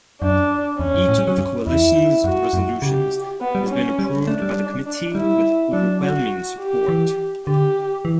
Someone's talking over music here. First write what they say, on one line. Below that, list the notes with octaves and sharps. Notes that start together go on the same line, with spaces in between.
Each of the Coalition's resolutions has been approved by the committee with overwhelming support.
F#2 D4
E2 C#4
F#2
A2
G3
F#3
G2
E2 E4
F#2 F#4
F#2
C#3 G4
B3
G3
C#4
G3
A3 D4
G3
D4
G3 E4
F#3 D4
F#4
G4
E3
D3 G4
E3